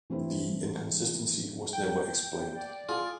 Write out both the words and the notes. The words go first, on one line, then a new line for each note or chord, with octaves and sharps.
The inconsistency was never explained.
E3 A3 C4 E4
G5
D5
F4 G#4